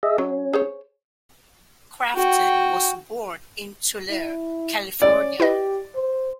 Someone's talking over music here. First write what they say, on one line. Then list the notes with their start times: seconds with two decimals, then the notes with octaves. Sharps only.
Crafton was born in Tulare, California.
0.03 G#4 D#5 E5
0.18 F#3 C#4
0.53 G#4 C5 C#5
2.16 F#4 G5
4.10 E4
5.02 C#4 D5
5.40 E4 G4 B4 D#5
5.95 C5